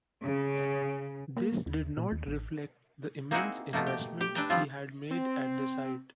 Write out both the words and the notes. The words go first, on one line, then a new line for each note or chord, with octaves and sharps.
This did not reflect the immense investment he had made at the site.
C#3
A#3
D#2
A#2
D#2
A1
A#3 C4 D#4 E4 F#4 G#4
B2 F3 A3 A#3
G4
G4
D4 B4 E5 G5 A#5
F3 G3 C4 F4 E5
C4